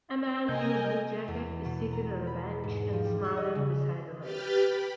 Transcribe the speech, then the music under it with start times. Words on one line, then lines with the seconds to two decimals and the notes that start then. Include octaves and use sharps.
A man in a blue jacket is sitting on a bench and smiling beside a lake.
0.49 C3 A#3 A#4 D#5 G#5 G6
1.28 E2
1.65 B2
1.93 A#5
2.27 B5
2.64 G#2
2.93 F3
3.05 G3
3.24 C#5
3.37 D#5
3.55 C#3
4.19 G4 B4 B5 F6 G6 A6
4.59 G5 B5